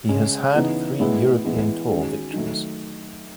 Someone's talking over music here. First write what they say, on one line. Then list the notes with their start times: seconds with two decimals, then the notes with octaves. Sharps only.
He has had three European Tour victories.
0.09 C#3 G#3 C#4
0.54 C#3 E3 B3 D#4
0.99 A2 G#3 B3 E4
1.44 E3 G#3 B3 E4
1.89 D#3 G#3 C#4 F#4
2.34 D#3 F#3 A3